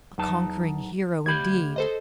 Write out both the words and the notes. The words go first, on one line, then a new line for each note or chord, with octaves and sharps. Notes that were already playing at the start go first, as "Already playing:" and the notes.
A conquering hero, indeed!
E2 F#3 D#4 A5
D2 G4 B5 G#6
A4 C5 D#5